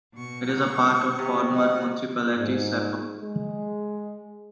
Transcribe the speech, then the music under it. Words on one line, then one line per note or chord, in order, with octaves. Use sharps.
It is part of the former municipality Cepo.
B2 C#6
C3
D#5 F#5
G#2
G#3